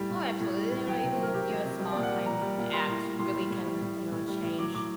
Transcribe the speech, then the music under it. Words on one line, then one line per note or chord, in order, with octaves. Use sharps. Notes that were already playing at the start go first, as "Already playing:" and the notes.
Oh, absolutely, you know, even, you know, a small kind act really can, you know, change
Already playing: A2 G3
A2
G3
A2
G3
A2
F#3 G5
C3 G5
C5
F#3 A#4
C3 G4
F#3
C3
G3 G4
A#2 D5
F#5
G3
A#2 A#5
G3
A#2
G3 C6
A2
G3
A2 C6
G3
A2
G3
A2
G3
A2
G3
A2
F#3 D6
A2 D6